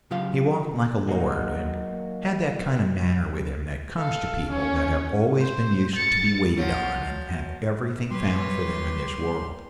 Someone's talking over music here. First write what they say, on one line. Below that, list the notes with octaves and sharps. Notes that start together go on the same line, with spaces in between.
He walked like a lord, and had that kind of manner with him that comes to people that have always been used to be waited on and have everything found for them in this world.
C#3 F#3 F4 G4 F5
F#3 A#3 D#4 F#4
A4 F5
C#4 C#5
C5
A6 C#7
F3 F#3
F#3 G3 G4 B4 C#5 C6